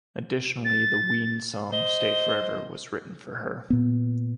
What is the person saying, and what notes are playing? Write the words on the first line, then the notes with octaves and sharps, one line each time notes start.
Additionally, the Ween song "Stay Forever" was written for her.
A6
C5 D#5 G7
A#2 B3